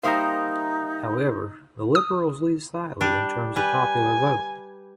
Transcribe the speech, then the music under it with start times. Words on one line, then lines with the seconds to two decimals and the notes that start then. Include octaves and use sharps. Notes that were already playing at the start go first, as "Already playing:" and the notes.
However, the Liberals lead slightly in terms of popular vote.
0.03 G3 A#3 D#4 C5 E5 F5 A#5 D#6
1.95 D#6
3.01 G3 D4
3.56 G3 B4 G#5